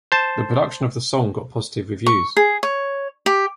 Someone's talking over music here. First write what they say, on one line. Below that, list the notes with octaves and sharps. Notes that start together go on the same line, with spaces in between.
The production of the song got positive reviews.
C5 A5
C#6
G#4
C#5
G4